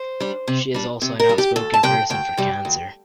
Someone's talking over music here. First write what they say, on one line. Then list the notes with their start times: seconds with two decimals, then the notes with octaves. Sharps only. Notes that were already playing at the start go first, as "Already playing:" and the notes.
She is also an outspoken person for Cancer.
Already playing: C5
0.20 G3 D4
0.48 C3
0.74 G3 D4
1.02 C3
1.20 A#4
1.29 G3 D4
1.38 G4
1.56 D2 A4
1.74 A5
1.83 C3 G3 G5
2.10 D2 G5
2.37 C3 G3
2.65 D2